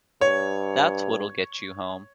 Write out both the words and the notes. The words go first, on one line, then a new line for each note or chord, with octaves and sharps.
That's what'll get you home.
G2 C#5